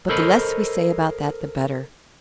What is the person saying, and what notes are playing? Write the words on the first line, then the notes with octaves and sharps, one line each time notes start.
But the less we say about that the better.
A4 A#4 C5 C#5 D#5 B5